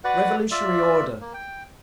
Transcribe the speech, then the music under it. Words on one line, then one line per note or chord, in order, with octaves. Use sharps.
Revolutionary order.
F#4 B4 D5 F#5
F4 D5 E5
A#3
G5